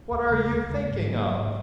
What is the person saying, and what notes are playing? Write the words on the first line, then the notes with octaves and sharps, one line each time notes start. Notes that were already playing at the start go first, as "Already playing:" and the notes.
'What are you thinking of?'
D#2
C#3 G#3
D#2
C#3 G#3
G#2
F#3 A#3
G#2